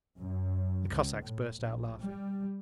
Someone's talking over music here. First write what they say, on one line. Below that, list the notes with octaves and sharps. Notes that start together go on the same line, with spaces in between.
The Cossacks burst out laughing.
F#2
C#2
A2
A#1
G3